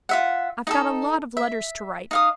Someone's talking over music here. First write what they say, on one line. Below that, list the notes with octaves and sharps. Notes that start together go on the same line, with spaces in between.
I've got a lot of letters to write.
F4 E5 F#5
D#4 G#4 A4
E5
D#4 F5 D#6